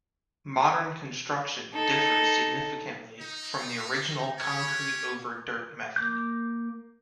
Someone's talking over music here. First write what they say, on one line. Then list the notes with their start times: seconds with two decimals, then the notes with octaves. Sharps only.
Modern construction differs significantly from the original concrete-over-dirt method.
1.74 D#4 A4
3.20 D#4
4.38 C#4 G4 C#5
5.96 A#3 D6 G6